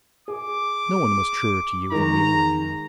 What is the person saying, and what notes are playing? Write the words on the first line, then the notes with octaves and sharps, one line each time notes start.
No one was truer to you than we were, you know.
G#4 D6
D#3 G#3 A#5